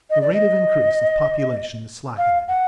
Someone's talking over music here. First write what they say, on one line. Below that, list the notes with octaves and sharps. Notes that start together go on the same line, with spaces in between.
The rate of increase of population is slackening.
D#5
D5
D#5
F5
F#5